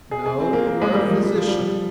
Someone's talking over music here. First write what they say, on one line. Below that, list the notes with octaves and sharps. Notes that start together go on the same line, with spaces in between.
No, you are a physician!
G#4
G#4
C4
A#3
A#3
G#3
G3
F3
G3
F3
G3